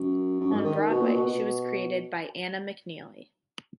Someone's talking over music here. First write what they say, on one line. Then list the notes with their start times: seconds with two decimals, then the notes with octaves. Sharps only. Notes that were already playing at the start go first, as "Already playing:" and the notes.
On Broadway she was created by Anna McNeely.
Already playing: F#2
0.40 F#2
0.51 G#2
0.64 D#3
0.89 B2
1.01 A#2
1.14 B2
1.26 B2